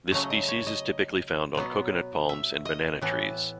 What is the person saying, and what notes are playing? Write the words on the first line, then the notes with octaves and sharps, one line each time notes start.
This species is typically found on coconut palms and banana trees.
C#3 F#3 A3 D#5
D#5
C#5
D#5
B2 F#3 B3
E5
D#5
A2 E3 B3